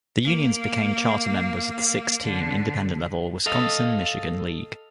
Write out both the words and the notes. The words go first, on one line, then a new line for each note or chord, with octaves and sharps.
The Unions became charter members of the six–team Independent level Wisconsin–Michigan League.
A#3
D3
A4 D#5 F5